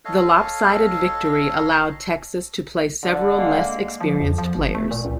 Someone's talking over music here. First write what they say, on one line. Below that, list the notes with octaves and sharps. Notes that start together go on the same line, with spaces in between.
The lopsided victory allowed Texas to play several less-experienced players.
A4 C#5 D#5 F5
D3
G#3 A#3
F3
F2
F3
G#1
A3
A#2
C#2